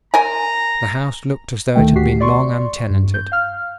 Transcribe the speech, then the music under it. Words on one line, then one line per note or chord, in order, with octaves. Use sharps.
The house looked as though it had been long untenanted.
A#4 G#5 A#5
D2 D#3 A3 G5
D2 F#4 G4 B6 C7
D5 C6 C#6
G2
G6
F5 F6